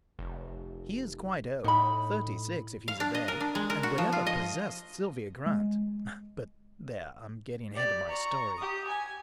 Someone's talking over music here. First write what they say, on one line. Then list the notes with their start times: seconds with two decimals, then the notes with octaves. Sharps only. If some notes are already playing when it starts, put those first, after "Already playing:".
He is quite old--thirty-six if he's a day, and whatever possessed Sylvia Grant--but there, I'm getting ahead of my story.
0.19 F1
1.64 A2 D#4 B5
2.88 F5
3.00 D4
3.15 D#5
3.28 A#4
3.40 D4
3.55 G#3
3.70 A#4
3.83 F#4
3.98 F3
4.12 F4
4.26 D#5
5.46 G#3
7.75 G4 D5
8.09 A#5 C#6
8.58 G4 D#6
8.88 G#5